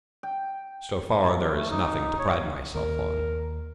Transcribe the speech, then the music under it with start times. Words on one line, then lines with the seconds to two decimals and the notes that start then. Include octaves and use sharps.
So far there is nothing to pride myself on.
0.23 G5
1.41 G4
1.55 A3
1.70 D#4
2.19 C#5
2.75 D#2 A#4